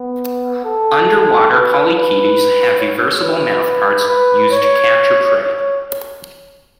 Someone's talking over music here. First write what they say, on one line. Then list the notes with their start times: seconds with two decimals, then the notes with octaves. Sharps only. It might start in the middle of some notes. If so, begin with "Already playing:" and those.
Underwater polychaetes have eversible mouthparts used to capture prey.
Already playing: B3
0.64 A4
1.50 B4
1.94 B4
2.79 C#5
3.22 B4
4.08 B4
4.51 C#5
5.36 C#5